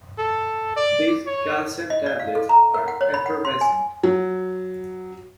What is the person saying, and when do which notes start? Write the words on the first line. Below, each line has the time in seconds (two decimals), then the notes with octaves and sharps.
These calcium tablets are effervescent.
0.19 A4
0.76 D5
1.26 C#5
1.90 D#5
2.06 D5
2.19 F5
2.35 A4
2.49 A#5
2.74 A#4
2.88 F#5
3.01 C#5
3.14 B5
3.26 F#5
3.45 C6
3.61 G#5
4.03 F#3